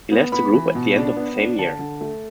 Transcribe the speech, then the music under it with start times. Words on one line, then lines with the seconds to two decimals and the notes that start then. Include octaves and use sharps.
He left the group at the end of the same year.
0.12 B3
0.32 B3 B5
0.53 E3
0.75 B2
0.96 D4
1.16 B3
1.38 D4
1.58 D3 A5
1.79 D3
2.01 A3